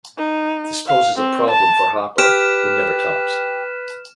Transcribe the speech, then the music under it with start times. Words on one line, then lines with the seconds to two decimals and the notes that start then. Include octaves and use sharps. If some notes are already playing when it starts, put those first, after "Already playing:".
This poses a problem for Harpo, who never talks.
0.18 D#4
0.87 F5
1.19 C4
1.50 A5
2.18 G4 B4 F6 E7